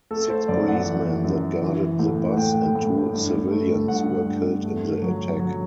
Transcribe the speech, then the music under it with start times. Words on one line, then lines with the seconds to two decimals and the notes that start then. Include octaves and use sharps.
Six policemen that guarded the bus and two civilians were killed in the attack.
0.11 A3 A4
0.30 C5
0.48 F#2 D5
0.68 F#5
0.86 E3
1.24 F#2
1.62 E3
1.99 A2
2.32 F#5
2.37 A2 G5
2.75 A2
3.13 G2
3.51 A3
3.88 G2 F#5
4.26 G2
4.64 A3
5.02 F#3
5.40 F#3